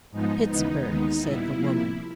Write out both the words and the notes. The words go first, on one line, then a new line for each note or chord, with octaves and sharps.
"Pittsburg," said the woman.
G#2 F3 G#3 B3 D#4
D#2 C#3 E3 G#3 B3 D#4
D#2 D#3 G#3 B3
A#2 G3 B3 E4
C3 F3 A#3